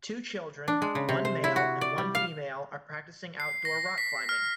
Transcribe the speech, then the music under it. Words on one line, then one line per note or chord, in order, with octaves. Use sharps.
Two children, one male and one female are practicing outdoor rock climbing.
D4
G#3
C#3
C3
C5
E4
F#4
D5
G3
F5
C7
A#6
B6
F6